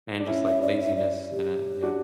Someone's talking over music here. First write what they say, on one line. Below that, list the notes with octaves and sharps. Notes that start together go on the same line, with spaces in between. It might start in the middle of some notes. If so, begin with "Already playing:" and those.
and just like laziness in it, yeah.
D4
C#4 E4 E5
E5
D5
E5
D5
G4
D4 F#4